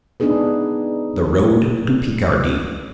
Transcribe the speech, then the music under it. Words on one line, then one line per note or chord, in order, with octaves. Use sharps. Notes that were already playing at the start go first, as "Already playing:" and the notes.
The Road to Picardy.
B3 D4 D#4 G#4 B4